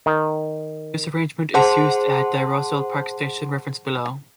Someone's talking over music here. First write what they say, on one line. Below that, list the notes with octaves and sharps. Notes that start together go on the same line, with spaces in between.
This arrangement is used at the Roselle Park Station referenced below.
D#3
G#4 C5 F#5 A5 C6